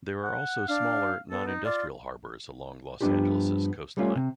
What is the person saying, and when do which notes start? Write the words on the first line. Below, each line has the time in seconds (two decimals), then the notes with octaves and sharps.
There are also smaller, non-industrial harbors along Los Angeles' coastline.
0.23 F#5
0.68 D4 F5
1.31 B3 A4
1.47 D#4
1.65 F4 D5
3.01 G2 F3 B3 D4 F4 G4
3.97 G3 A3 C#4 F4
4.16 C3